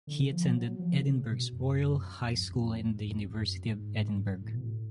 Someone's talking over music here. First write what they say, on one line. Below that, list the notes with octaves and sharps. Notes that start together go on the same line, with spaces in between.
He attended Edinburgh's Royal High School and the University of Edinburgh.
D3
F3
F#3
F3
D3
C#3
B2
F#2
F2
F#2
F2
G#2
F#2
F2
F#2
G#2
A2
B2
A2